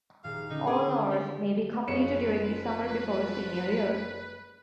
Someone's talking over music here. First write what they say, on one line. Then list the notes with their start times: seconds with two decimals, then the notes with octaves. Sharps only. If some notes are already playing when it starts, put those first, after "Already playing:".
All hours may be completed during the summer before senior year.
0.24 D#1 G#4 F5
0.50 D3 C#4 D#4
0.67 C#4 G#4 A#4 G#5 D6
1.11 G3
1.87 F#1 F3 C#4 G#4 B4 F5 C#7 E7